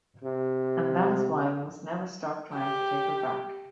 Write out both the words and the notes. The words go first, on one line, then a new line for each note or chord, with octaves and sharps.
And that is why we must never stop trying to take her back.
C3
G4